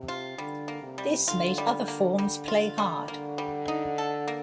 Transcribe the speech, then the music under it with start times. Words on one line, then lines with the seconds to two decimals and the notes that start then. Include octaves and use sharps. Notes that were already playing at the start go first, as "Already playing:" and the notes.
This made other forms play hard.
Already playing: C3
0.08 F4
0.38 D3 G3
0.68 A#3
0.83 C3
0.98 G3
1.27 D3 F4
1.58 G3
1.88 A#3
2.18 G3
2.48 F4
2.78 G3
3.08 D3 A#3
3.38 G3
3.68 D#4
3.98 A4
4.28 A#3